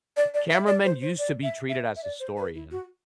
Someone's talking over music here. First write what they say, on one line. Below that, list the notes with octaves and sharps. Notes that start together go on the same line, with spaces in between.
cameramen used to be treated as historians,
D5
D5
E5
D5
C5
C5
D5
E5
E5
E5
D5
C5
B4
E4
F#4